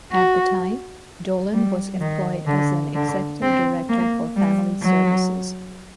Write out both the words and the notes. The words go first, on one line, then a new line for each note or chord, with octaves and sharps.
At the time, Dolin was employed as an executive director for family services.
F#4
G3
D#3
D3
D3
C4
A#3
G3
F#3